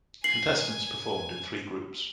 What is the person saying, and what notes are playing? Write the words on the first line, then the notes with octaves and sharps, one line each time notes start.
Contestants performed in three groups.
G#5 C7 F#7